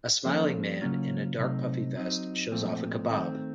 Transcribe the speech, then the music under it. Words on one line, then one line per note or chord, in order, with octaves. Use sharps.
A smiling man in a dark puffy vest shows off a kebab.
F3 A#3 C#4 A4 C5
C#3 F#3 A#3 C#4 F4
C3 F#3 A3 C4 D#4
F#3 C4 D#4
A#2 F3 A3 C4
D#3 A3 C4